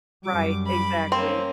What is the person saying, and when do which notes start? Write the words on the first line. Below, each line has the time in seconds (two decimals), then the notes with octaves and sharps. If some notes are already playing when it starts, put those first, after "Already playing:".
Right, exactly.
0.25 F#2 G3 D6
0.67 B5 D6
1.12 A#3 C4 C#4 C6